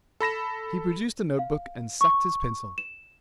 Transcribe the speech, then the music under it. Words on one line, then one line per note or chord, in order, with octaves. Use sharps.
He produced a notebook and sucked his pencil.
A4 B5 A#6 E7
F5
C#6
E7